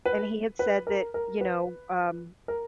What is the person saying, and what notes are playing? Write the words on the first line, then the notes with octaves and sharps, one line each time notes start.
and he had said that you know, um,
B4
B4
A#4
A#4
B4
A#4